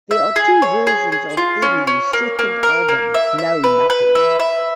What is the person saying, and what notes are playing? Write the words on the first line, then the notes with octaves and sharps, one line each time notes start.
There are two versions of Emmi's second album "No Nothing".
E5
G#4
C#5
G#4
G#4
F4
C#4
C#4
A#3
A#3
A#4
A#3
E5
E5
B4
B4
E5
E5